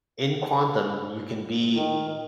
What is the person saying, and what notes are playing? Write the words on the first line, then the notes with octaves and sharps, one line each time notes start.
In quantum, you can be
D#3